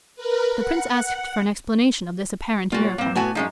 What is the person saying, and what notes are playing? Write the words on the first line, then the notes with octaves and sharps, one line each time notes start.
The Prince asked for an explanation of this apparent miracle.
A#4 B4
F#5
A#2 G3 A#3 F4 F#4
C#5
G2 A#3 C4
A2 B3 F#4 G#5 A5
F#2 F3 G#3 C#4 D#4